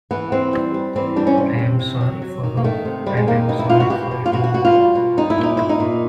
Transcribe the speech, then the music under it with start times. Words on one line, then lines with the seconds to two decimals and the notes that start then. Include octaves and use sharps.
I’m sorry for her, and I’m sorry for him too.
0.11 E3 B3
0.32 E3 C4
0.53 G3
0.74 G3
0.96 E3 C4
1.16 G3 D4
1.27 C#4
1.38 C3
1.59 C3
1.79 C3
2.01 F#3
2.22 F#3
2.43 D#3
2.57 A#3
2.64 D#3 A3
2.85 C3
3.06 C3 G3
3.17 G#3
3.27 D#3 A#3
3.48 B2 D#4
3.59 E4
3.69 B2 F4
3.80 F#4
3.90 B2 G4
4.11 B2
4.26 F4
4.32 B2 F#4
4.44 F#4
4.54 B2 F#4
4.65 F4
4.75 G3
4.95 B2
5.17 G3 D#4
5.30 E4
5.38 A#2
5.43 D#4
5.57 A#2 E4
5.69 D#4
5.80 A#2